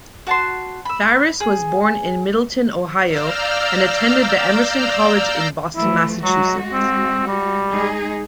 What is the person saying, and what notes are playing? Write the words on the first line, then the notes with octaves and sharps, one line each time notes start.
Pharris was born in Middletown, Ohio and attended the Emerson College in Boston, Massachusetts.
F#4 A5 C6
B5 E6
G#4
D5 F5 A#5 E6 F6 G6
E3 F3 A3 E4
F#3 G#3 F#4
C4
G3
G#3 D#4 G#4